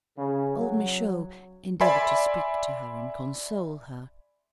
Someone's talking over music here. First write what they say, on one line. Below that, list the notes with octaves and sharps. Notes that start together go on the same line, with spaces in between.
Old Michaud endeavoured to speak to her and console her.
C#3
F#3
D5 E5 G#5 B5 C6